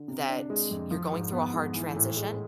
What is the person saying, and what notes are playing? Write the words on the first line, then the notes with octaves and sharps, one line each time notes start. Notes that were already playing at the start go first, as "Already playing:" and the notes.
that you're going through a hard transition
Already playing: D3
C3
D4
G#3
F2
F3
G#2
B3
G#2
E3
A2
G#3